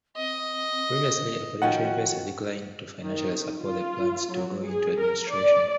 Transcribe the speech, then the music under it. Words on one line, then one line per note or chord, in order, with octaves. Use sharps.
Previously, a potential investor declined to financially support the plans to go into administration.
C4 D#5
D#3 F3 C#4 F#4 F#5
D#3
F4
F#3
G#4
A#4
D5